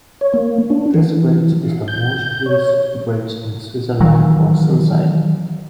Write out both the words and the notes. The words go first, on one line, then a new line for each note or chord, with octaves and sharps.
This bridge is the most used bridge in Switzerland for suicide.
C#5
A#3
D4
E3
G6
C#5
D#3 E3 F#3